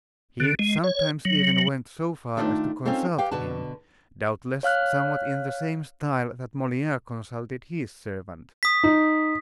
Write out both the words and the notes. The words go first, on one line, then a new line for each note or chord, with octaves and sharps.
He sometimes even went so far as to consult him, doubtless somewhat in the same style that Moliere consulted his servant.
D3
G#3
C#5
F#3
D#3 G3 A3 D4 F4 A4
C4 C#4 D#4 F4 A4 C5
G4 B4 F5 G5
B2 D3 F#4 B4 A5
C#5 F5 F6 F#6
D#6 B6
D#4